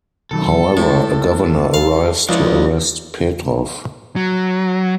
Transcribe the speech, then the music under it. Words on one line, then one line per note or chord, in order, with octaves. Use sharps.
However, a governor arrives to arrest Petrov.
B2 D#3 F#3 A4
A2 G#3
F5
C#2 F3 E4 F4 D5 E5
F#3